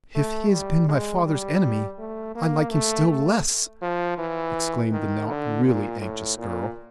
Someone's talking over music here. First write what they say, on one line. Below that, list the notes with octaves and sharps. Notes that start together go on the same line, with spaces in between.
"If he has been my father's enemy, I like him still less!" exclaimed the now really anxious girl.
A3
G3
G#3
G3
A3
A#3
A3
A3
F3
E3
D#3
D3
A#2
A2
A#2